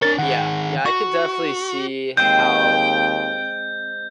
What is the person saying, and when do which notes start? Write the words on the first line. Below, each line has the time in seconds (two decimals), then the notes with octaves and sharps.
Yeah, yeah, I could definitely see how
0.02 D4 A#4 C#5 A6
0.19 D#3 G#4 F#5
0.86 F#4 C#6
2.17 D#2 G#3 C4 G5 G6